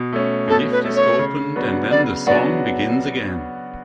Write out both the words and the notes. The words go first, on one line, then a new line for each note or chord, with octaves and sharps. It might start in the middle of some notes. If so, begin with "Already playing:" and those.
The gift is opened and then the song begins again.
Already playing: B2
A3 C#4
B2 A4
B4
A3 C#4
C#5
C#3
F#3 B3 D4 F#4
C#3 D5
F#3 B3 D4 F#4 D5